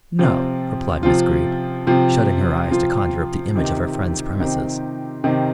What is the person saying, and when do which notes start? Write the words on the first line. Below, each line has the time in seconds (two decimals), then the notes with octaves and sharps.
"No," replied Miss Greeb, shutting her eyes to conjure up the image of her friend's premises.
0.19 C3 F3 C4 F4
1.03 C3 F3 C4 F4
1.87 C3 F3 C4 F4
2.71 C3 F3 C4 F4
3.56 C3 D#3 C4 D#4 G4
4.40 C3 D#3 C4 D#4 G4
5.24 C3 D#3 C4 D#4 G4